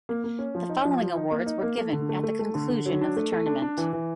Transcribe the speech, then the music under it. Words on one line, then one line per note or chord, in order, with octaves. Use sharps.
The following awards were given at the conclusion of the tournament.
A#3
A#3
C#4
F3
D#4
F3
F3
D#4
A#3
D#4
A#3
A3
D3
A3
A3
A3
D3
D3
F#3
D4
A3
A3
D4
D4
E3
E3